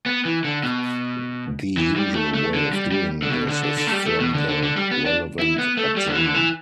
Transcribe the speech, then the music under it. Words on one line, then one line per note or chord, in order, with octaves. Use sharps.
The usual way of doing this is from the relevant oxime.
B3
E3
D3
B2
E3
G3
A3
A3
D3
G3
G3
D3
B2
D3
D3
D3
A3
G3
A3
B2
D3
D3
D3
G3
B3
D4
E4
B3
A3
G3
D3
E3
D3
E3